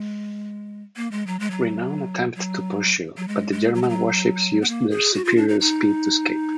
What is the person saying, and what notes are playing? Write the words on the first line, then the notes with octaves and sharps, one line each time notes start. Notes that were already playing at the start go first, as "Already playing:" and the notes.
"Renown" attempted to pursue, but the German warships used their superior speed to escape.
Already playing: G#3
A#3
G#3
F#3
G#3
F#3
F#3
F#3
G#3
G#3
F#3
G#3
F#3
B3
A#3
G#4
F#4
F4
D4
D#4
D#4